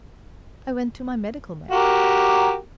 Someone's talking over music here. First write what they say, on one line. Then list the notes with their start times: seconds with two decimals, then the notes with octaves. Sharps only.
I went to my medical man.
1.71 F#4 G4 A#4